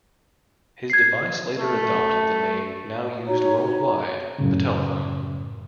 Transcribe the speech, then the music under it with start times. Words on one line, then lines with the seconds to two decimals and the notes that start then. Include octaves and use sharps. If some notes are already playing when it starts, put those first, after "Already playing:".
His device later adopted the name now used worldwide, the telephone.
0.90 G#6 C7
1.59 A3
3.27 D#4 F#4 C#5 A#5
4.39 F#2 A2 C#3